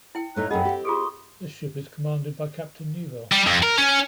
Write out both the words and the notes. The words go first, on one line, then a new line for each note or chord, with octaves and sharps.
This ship is commanded by Captain Neuville.
E4 G5
A2 A3 D#4 C#5 A#5 F#6
F#2 C#4 G#4 D#5 F#5 G5 B5
C4 G4
F4 G#4 A4 C6 C#6 D#6
G3
F2
A#4
C#4